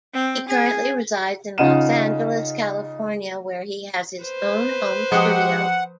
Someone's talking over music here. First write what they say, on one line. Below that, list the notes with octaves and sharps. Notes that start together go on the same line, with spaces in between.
He currently resides in Los Angeles, California, where he has his own home studio.
C4
G#4
C#3 D#4 F4 F#5 D#7 E7
B4 C5
F3 G#3 G4 F#5